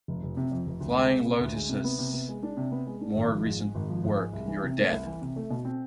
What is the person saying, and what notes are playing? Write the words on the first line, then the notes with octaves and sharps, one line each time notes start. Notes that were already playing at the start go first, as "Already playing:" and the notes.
Flying Lotus's more recent work, You're Dead!
F1
F1
C3
F2
F1
D2
G#3
C3
B3
D2
G#3
C3
B3
C3
B3
G#3
D4
C3
B3
G#3
D4
G#1
F3
G#2
G#3
G#1
F3
G#2
G#3
C2
E3
C3
A3
C2
E3
C3
A3
B2
C4